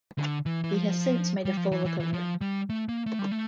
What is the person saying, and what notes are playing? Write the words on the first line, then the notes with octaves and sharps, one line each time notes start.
He has since made a full recovery.
D3
E3
E3
F3
G3
F3
E3
E3
E3
F3
G3
A3
A#3
A3
G3
A3